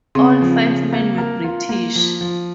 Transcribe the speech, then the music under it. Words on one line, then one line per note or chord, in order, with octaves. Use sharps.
All five men were British.
C#3 C4
F3
C#3
A#3
A#4
F4
A#3
F3
F3